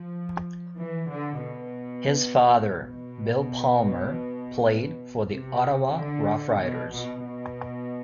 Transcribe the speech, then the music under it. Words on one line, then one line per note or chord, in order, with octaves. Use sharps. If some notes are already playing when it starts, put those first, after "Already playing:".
His father, Bill Palmer, played for the Ottawa Rough Riders.
Already playing: F3
E3
D3
B2
B2
C3
D3
B2
B2
B2